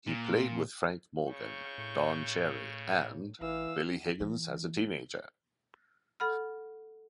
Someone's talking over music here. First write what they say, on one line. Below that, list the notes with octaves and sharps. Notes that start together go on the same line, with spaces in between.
He played with Frank Morgan, Don Cherry, and Billy Higgins as a teenager.
A#2
C#3 C#6 G6
A2
A1 E3 F5 E6
E3
A4 F#5 B5 F6